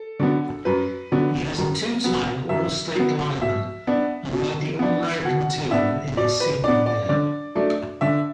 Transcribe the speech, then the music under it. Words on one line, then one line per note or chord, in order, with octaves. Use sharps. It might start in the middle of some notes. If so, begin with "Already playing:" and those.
He was a two-time all-state lineman, and made the All-America team his senior year.
Already playing: A4
D3 F#3 B3
F#2 B4
D3 F#3 B3
F#2
F#3 B3
F#2 E5
F#3 B3
B2 E5
B3 D4
B2
B3 D4
B2 F#5
B3 D4 E5
B2 D5
B4
B3 D4 D5
D5
D3 D5
F#3 A3 D4
D3 E5